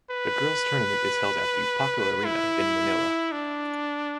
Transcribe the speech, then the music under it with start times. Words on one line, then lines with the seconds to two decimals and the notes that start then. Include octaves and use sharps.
The girls tournament is held at the Paco Arena in Manila.
0.10 B4
2.25 E4
3.32 D4